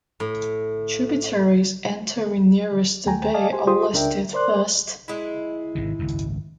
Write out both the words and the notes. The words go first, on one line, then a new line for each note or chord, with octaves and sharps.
Tributaries entering nearest the bay are listed first.
A2
D#2 A3 G5 G#5 A#5
D5 D#5 F5 G#5 A5
G4 C5 G#5
F4 G4 G#4 C5 C6 D#6
C#2 D4 A#4 E5 G5
A#4 C5 D5 C6 F#6
G#3 E4
G#1 C3 D#3
G#1 C#2 F#2